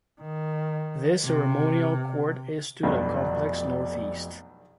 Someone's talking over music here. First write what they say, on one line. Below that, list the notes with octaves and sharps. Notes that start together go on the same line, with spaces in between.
This Ceremonial Court is to the Complex north-east.
D#3
C3
F1 B1 G2 B2 D5